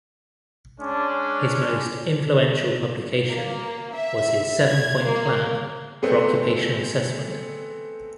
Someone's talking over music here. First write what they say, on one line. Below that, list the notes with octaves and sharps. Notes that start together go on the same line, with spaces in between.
His most influential publication was his "seven point plan" for occupational assessment.
G#3 C#4 D4
A#3
E5
G#6
A#3
G#3 A3 B3 C4